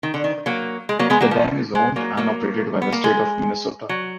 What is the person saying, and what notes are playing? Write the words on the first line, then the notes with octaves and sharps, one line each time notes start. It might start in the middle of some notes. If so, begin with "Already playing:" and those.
The dam is owned and operated by the state of Minnesota.
D#3
D3
D#3
F#3 A#3
G#3
F#3 A#3
G#3 B3
F#3 A#3
F3
G#3
F#3 A#3
F#3 A#3
B3
A#3
G#3
F#3